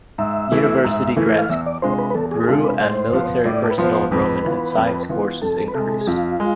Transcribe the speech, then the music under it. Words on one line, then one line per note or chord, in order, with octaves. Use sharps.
University grants grew and military personnel enrollment in science courses increased.
G#2 E5
E3 A3 E4
G#2
E3 A3 E4
F5
E2 E5
D5
C3 G#3 D4 F4 C5
B4
B4
E2 A4
G#4
G#4
C3 G#3 D4 F4 A4
B4
A2 C5
F3 B3 F4
A2 D5
A4
B4
F3 B3 F4 C5
F2 B4
E3 B3 F4
F2
E3 B3 F4
F2 A4
B4
C3 G#3 A4
G#4
F2 F4
G#3